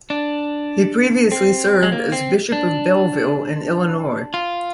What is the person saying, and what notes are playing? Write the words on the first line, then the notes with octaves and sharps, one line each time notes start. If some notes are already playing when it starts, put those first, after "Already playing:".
He previously served as Bishop of Belleville in Illinois.
D4
C4
G#3
A#3
C4
D4
F4